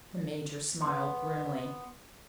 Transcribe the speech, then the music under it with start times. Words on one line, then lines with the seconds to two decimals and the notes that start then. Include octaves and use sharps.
The Major smiled grimly.
0.82 B3 C6